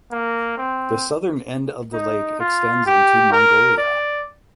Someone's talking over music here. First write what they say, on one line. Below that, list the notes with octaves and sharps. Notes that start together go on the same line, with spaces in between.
The southern end of the lake extends into Mongolia.
A#3
C4
D#4
F4
G4
A#4
D5